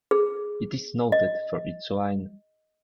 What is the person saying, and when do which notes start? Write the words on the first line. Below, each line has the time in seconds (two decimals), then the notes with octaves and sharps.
It is noted for its wine.
0.11 G#4
1.12 D#5